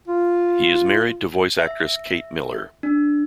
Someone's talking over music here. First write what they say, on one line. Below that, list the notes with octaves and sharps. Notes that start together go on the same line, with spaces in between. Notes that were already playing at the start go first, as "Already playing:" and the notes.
He is married to voice actress Kate Miller.
F4
E5
D4